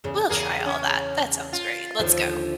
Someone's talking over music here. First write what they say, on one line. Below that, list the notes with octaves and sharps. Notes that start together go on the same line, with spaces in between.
we'll try all that, that sounds great, let's go."
E2 C#3
E2 C#3 A#3 G#4 A#4
C#4
F4
D#2 D3 F3